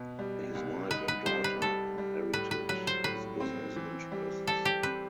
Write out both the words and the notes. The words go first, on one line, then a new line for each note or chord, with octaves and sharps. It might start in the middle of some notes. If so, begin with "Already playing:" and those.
His wife and daughter inherited his business interests.
Already playing: B2 B3
G3
C2
D#4 B4
B4
G3 C5
B4
G3 A4
G3
A2 B4
B4
F#3 B4
C5
A2 B4
C4
E3
G3
G3 A4
G4
C4 B4